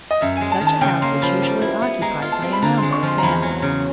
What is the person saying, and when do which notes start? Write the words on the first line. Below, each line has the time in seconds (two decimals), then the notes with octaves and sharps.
Such a house is usually occupied by a number of families.
0.11 D#5
0.21 F#2 E5
0.37 G#3 G#5
0.52 A5
0.61 D#3
0.67 A5
0.81 C#3 G5
1.02 A#3 C6
1.22 F3 B5
1.42 G3
1.62 E4
1.82 B3
2.01 G#3 A#5
2.22 F4
2.32 A5
2.42 C4
2.53 B5
2.62 D3 A#5
2.78 G#3 C6
2.92 C#6
3.03 F3
3.08 C6
3.18 A#5
3.23 E2 B5
3.42 F#3
3.62 C#3